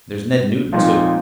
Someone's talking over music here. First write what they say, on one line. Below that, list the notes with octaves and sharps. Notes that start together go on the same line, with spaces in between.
There's Ned Newton, too.
A#2 F3 G#3 C4 D#4